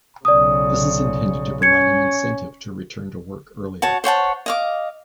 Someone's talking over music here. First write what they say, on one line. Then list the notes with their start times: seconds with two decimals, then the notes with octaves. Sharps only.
This is intended to provide an incentive to return to work earlier.
0.25 B1 C#3 D5 D#6
1.62 C#4 G#6 C#7
3.82 F#4 C#5 A5
4.04 C5 C#5 F#5 A5
4.46 D#5 F5 D6